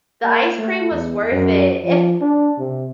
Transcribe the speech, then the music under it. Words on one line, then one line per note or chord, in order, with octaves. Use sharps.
the ice cream was worth it,
A#3
A3
E2
F#2
F3
D4
C3